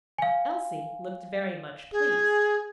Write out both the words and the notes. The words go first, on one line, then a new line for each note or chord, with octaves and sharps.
Elsie looked very much pleased.
F5 G#5
G#4